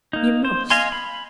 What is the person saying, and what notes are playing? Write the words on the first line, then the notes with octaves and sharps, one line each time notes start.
You must.
A#3 D#4
C5
D#5 F5 G#5 C6
B5